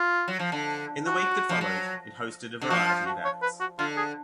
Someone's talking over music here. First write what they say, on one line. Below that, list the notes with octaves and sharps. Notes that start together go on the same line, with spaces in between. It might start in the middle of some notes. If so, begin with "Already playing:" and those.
In the week that followed, it hosted a variety of acts.
Already playing: F4
F#3
F3
D3
F#4
F3
F#3
D3
F3 F#4
F4
F#4
C#5
B4
F#4
D3 F4
G#4